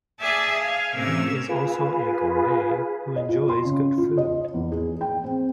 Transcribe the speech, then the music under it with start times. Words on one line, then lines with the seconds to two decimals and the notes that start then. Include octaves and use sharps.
He is also a gourmet who enjoys good food.
0.20 G#4 D5 E5 G#5 A5
0.60 F5 G#5
0.94 A2 C3 C#4 A#4 E6
1.49 F4 G#4 B4
3.16 D#5
3.29 F4
3.49 C6
3.65 C#3
3.98 F4
4.17 D#5
4.54 E2
4.72 G#4
5.01 G5
5.24 C4